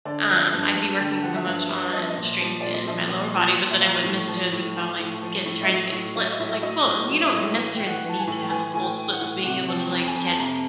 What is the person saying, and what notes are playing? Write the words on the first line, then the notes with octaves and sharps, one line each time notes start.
um, I'd be working so much on strength in my lower body, but then I wouldn't necessarily think about, like, getting trying to get splits. I'm, like, "Well, you don't necessarily need to have a full split, being able to, like, get
D3 D5
F3
E5
G2
G2
D3 G5
F3 F#5
E5
G2 F5
G2 E5
F3 D#5
E5
D#5
A#2
F3
A#2 D5
D#5
F3 E5
A#2
F3
A#2
E5
F3 F5
A2
F3
A2
F3
A2
F3
A2
E5
F#3 D#5
A2
F#3 F5
E5
D#5
A2 E5
E5
F#3 D#5
A2
F#3
E5
A2 D#5
E5
E3
A2 G5
F#5
E3
A5
G#5
A2
G5
E3 G#5
A2 G#5
G5
E3
F#5
A2
C3 F#5
F3
G5
F2
G#5
F2
A5
C3 A#5